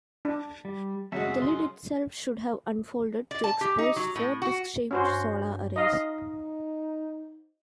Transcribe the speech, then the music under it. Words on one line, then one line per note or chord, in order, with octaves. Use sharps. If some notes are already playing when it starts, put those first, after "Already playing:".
The lid itself should have unfolded to expose four disk-shaped solar arrays.
D4
G3
F#2 C#3 G#3 F#4 E5
C6
D5
A5
G4
D#4
F#3
A2
F#4
G2 C#4 F#4 C5
D#4 D#5 F5